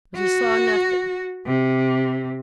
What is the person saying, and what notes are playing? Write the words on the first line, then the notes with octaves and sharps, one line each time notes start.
But he saw nothing.
F#4
C3